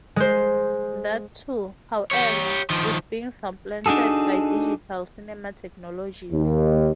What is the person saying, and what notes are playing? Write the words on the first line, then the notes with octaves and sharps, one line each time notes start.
That too, however, is being supplanted by digital cinema technologies.
G#3 C5
G4 C#5
D#3 F3
D4 D#4 F#4 G#4 A4
D#2